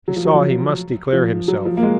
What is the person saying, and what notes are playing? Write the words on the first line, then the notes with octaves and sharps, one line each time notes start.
He saw he must declare himself.
F#3
F3
F#3
F3
F3
F#3
F3
A#3
G#3